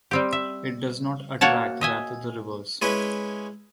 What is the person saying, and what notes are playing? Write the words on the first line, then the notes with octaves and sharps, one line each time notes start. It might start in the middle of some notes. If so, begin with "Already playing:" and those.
It does not attract, rather the reverse.
G3 C4 G4
E5
A#3 F#4 C#5 F#5 A5
D#5 E5 G#5
G#3 C#4 E4 B4